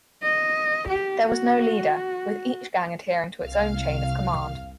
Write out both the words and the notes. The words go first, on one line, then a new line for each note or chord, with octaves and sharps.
There was no leader with each gang adhering to its own chain of command.
D#5
G4
F#4
C2 F5 F6